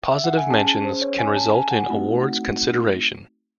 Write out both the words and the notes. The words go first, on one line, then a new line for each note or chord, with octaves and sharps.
Positive mentions can result in awards consideration.
E5
F#5
G#5
C#4 G#4 A5
C5
C#5
G#5
A5
G#5
F#5
A3 C4 D#4 F#4